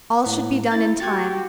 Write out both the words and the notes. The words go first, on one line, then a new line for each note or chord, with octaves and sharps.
All should be done in time.
A2 B3
E4 A6
F#4 G4 G#6 A6